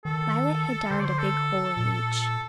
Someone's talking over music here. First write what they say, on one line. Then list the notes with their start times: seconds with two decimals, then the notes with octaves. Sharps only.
Violet had darned a big hole in each.
0.05 D#3 A4
0.91 D3 C5
1.00 D5
1.05 C5
1.19 A4
1.77 A#2
2.20 A4